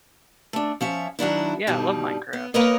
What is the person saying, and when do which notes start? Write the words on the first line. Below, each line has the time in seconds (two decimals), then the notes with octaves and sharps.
Yeah, I love Minecraft.
0.53 A3 D4
0.81 F3 C#4 E5
1.19 D#3 F#3 D4 E4
1.67 G2 B2 G3 D#4
2.33 B3
2.54 A#3 A#4 B4 C#5 D#5